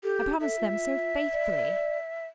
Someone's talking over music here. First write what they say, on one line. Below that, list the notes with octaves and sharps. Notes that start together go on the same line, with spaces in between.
I promised them so faithfully!
G4 A4
A4 E5
F4
D5